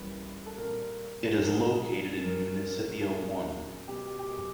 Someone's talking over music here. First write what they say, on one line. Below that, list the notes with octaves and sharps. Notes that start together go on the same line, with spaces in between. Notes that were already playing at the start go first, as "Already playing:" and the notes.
It is located in Municipio One.
Already playing: G2 E3 G3 A#3 C#4 B4
A4
A#2 G3 C4 A#4
A#2 F3 G#3 C4 A#4
A4
G#4
A4
G2 D#3 F#3 A3 C#4 A#4
A#4
A4
A#2 F#3 A#3 C#4 G#4
B2 G#3 B3 G4
G4
G#4